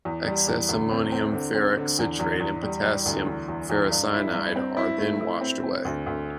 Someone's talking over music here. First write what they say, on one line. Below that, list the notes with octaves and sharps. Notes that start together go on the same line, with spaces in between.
Excess ammonium ferric citrate and potassium ferricyanide are then washed away.
E2
G3
E2
D2
C4
C4
D3
C4
D3
E2
E2
E2
G3
G3
D2
E2
E2
E2
G2
E4
G2
C4
E4
A3
E4
C4
C4
D2
D2